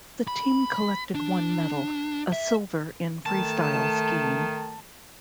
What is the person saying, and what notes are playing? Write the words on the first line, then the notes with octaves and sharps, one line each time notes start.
The team collected one medal, a silver in Freestyle Skiing.
B5
D4
E5
D#3 A3 A5